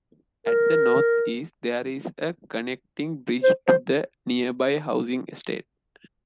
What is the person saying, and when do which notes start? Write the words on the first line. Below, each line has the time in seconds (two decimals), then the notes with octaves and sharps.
At the northeast there is a connecting bridge to the nearby housing estate.
0.47 A#4
3.44 C5
3.68 C5